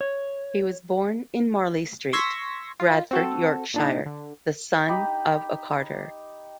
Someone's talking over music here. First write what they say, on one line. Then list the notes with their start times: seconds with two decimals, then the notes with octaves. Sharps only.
He was born in Marley Street, Bradford, Yorkshire, the son of a carter.
0.01 C#5
2.13 C6 C#6 E6 G#6 A#6 B6
2.80 F4
3.11 C4 F#4 A4
3.74 A#2 D4 D#4
4.06 D3
4.89 D#4 G4 B5